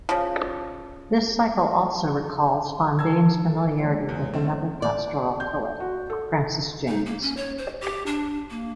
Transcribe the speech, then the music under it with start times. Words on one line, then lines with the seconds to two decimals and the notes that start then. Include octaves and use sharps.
The cycle also recalls Fondane's familiarity with another pastoral poet, Francis Jammes.
0.09 C#3 F3
2.99 A#4 A5 A#5 E6 G#6
3.31 D#4
3.47 A4
3.79 G#3 A#3 C#5
4.09 E2
4.34 A3 C4 C#4
4.82 D5
5.40 G6
5.80 F#4
6.10 A4
6.88 D#4
7.06 A#3
7.22 C#4
7.37 C#5
7.58 C5
7.81 G4
8.06 D4
8.50 A#3